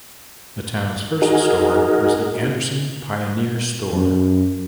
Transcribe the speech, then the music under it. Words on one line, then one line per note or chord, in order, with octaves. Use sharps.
The town's first store was the Anderson Pioneer Store.
D#4 F#4 G#4 A#4
F#2